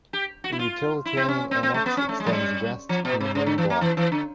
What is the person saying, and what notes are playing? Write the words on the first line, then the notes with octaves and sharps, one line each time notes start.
A utilitarian annex extends west from the main block.
G4
F#4
E4
F4
E4
C4
C#4
C4
C4
A3
B3
C#4
A3
G#3
F#3
G3
F3
B2
C3
C#3
D3
E3
A#3
E3
E3
D3